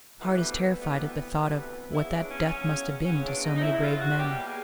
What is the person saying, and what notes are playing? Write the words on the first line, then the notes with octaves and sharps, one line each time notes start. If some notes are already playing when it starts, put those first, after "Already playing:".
The heart is terrified at the thought of what that death must have been to so many brave men.
D2 C3 E3 G3 B3
D2 C3 E3 G3 B3
D2 C3 E3 G3 B3
E2 C#3 F#3 B3 E4
D4
C#4
E2 C#3 F#3 B3 C#4
E2 C#3 F#3 B3 C#4
D4
D#4
D#4
E2 C#3 F#3 B3 E4
F4
F#4
B2 G3 A#3 G4
G#4